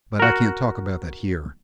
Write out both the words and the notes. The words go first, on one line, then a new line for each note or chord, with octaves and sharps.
But I can't talk about that here.
F#4 A#4